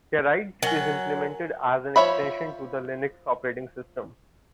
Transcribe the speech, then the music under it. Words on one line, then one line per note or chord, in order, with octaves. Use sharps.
Kerrighed is implemented as an extension to the Linux operating system.
F#3 A#4 G#5
F3 D4 C#5 E5 B5